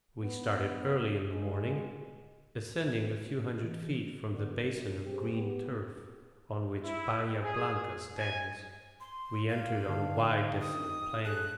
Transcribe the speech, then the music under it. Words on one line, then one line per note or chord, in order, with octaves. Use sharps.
We started early in the morning; ascending a few hundred feet from the basin of green turf on which Bahia Blanca stands, we entered on a wide desolate plain.
B3
G#3
E3
B2 D3
B1 F#2 A2 C3
C4 G4 G#4
B3 G4
E4
G#4
G#5
C6
A#3 F5
D3 D#3 D4
D#6
G#4 A4 F#6